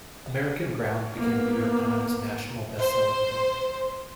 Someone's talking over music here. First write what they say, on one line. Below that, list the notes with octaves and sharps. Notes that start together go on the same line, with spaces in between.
"American Ground" became a "New York Times" national bestselling book.
A#3 B3
C5